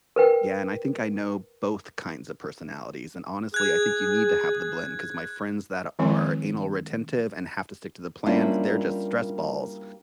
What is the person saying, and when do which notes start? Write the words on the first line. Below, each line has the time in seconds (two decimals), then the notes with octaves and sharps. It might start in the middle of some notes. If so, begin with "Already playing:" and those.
Yeah, and I think I know both kinds of personalities. And honestly, I think you need to have the blend, 'cause my friends that are anal-retentive and have to stick to the plan, they're just stress balls.
0.16 A#4 B4 G5
3.54 G#4 F#6 G#6
5.99 D#3 F3 G#3 C4 E4
8.26 G3 A#3 C#4 D4 E4 F4